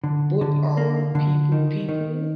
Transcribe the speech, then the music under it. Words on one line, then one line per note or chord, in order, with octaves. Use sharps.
Both Are People People?
D3
D3
A#3
D3
D#3
D#3